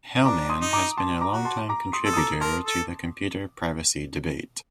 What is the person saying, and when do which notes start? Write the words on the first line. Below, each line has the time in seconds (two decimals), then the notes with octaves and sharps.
Hellman has been a longtime contributor to the computer privacy debate.
0.25 D4 A#5 D6
0.50 C6 D#6
0.61 D#4
0.73 A#5 D6
0.98 A5 C6
1.21 A#5 D6
1.33 F#4
1.45 A5 C6
1.69 A#5 D6
1.93 C6 D#6
2.05 A4
2.13 D#6
2.17 A#5 D6
2.41 A#4 A5 C6
2.65 A4